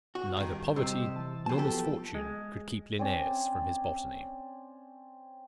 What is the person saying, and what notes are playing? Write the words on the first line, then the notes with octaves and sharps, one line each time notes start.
Neither poverty nor misfortune could keep Linnaeus from his botany.
F#4
G2 D#3
C3 G3 D#5 E6
E3 A5
G2 F3 F#3 B3 A5
G4 A4
G#3
C4 C#4 D5